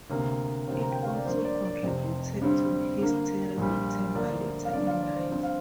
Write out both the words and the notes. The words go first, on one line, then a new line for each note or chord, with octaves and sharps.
It also contributed to his terrible temper later in life.
D2 C3 A#3
D2 C3 F3 A#3 C5
A#5
G5
F5
D5
G2 F3 A#3 C5
D5
D5
F1 F2 C3 C5
G2 D3 G3 C4
G2 D3 A#3
A#1 A#2 G3
D2 D3 F3 A#3 D5
F5
G1 G2 F3 A#3 D5
F4 F5
D5
C5
G2 F3 C4
F5